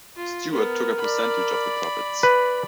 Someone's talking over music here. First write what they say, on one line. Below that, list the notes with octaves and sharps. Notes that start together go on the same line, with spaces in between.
Stewart took a percentage of the profits.
F4
B3 A#4
D5 B5
B4